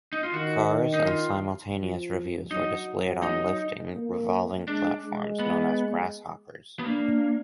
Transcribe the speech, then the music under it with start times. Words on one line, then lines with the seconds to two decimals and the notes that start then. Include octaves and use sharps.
Cars and simultaneous revues were displayed on lifting, revolving platforms known as "grass-hoppers".
0.13 D#4
0.23 F4
0.34 D#3 F#4
0.94 D#4
1.06 F4
1.78 F3
2.51 F#3 D#4
3.23 D#4
3.95 A#3
4.68 G#3 D4
5.04 G#3
5.39 B3
6.79 B3
6.84 A#3 D4